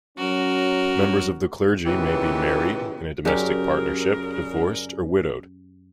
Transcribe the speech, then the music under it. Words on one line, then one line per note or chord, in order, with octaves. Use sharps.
Members of the clergy may be married, in a domestic partnership, divorced, or widowed.
F#3 C#4 F#4 A#4
A#2 C#3 E3 B3 D#4 G4
F#2 C#3 G4 G#4 A#4 D5 G#5